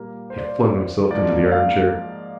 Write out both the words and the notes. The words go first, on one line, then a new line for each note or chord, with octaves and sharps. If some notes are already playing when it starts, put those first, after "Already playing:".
He flung himself into the armchair.
Already playing: A#2 G3 A#3 A#4
C5
D5
C5
G#2 F3 A#3 D5
F5